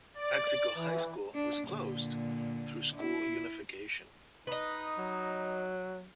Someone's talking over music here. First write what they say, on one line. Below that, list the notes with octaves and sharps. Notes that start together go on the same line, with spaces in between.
Paxico High School was closed through school unification.
D5
E3
D4
A#2 D3
E4
D#4 B4 D#5
F#3